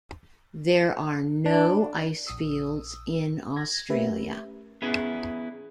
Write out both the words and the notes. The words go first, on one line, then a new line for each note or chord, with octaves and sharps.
There are no ice fields in Australia.
D4
A#1 D#6 E6
G#6 A#6
A3 C#4 G4 A#4 B4 E5
B3 C#4 E4 G#4 B4